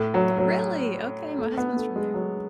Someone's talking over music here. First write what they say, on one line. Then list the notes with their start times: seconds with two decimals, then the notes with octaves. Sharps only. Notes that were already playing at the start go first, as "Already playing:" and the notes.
Really? Okay, my husband's from there.
Already playing: A2
0.14 F#3
0.38 F#3
1.39 A3
1.58 B3
1.76 A3
1.96 G#3
2.14 F#3